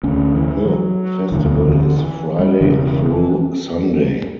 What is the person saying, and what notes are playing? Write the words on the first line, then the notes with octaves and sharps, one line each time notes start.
The festival is Friday through Sunday.
D2 D3 C#4
E3
F#3
E1 D2 D3 E3
D3
E3
G3
E1 E2 C#3 E3